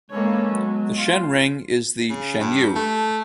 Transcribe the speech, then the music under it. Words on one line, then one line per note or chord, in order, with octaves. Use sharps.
The Shen ring is the 'shenu'.
G#3 A#3 C#4 A4 B4 C#5
F#3 B3
F4
C#3
G2
A3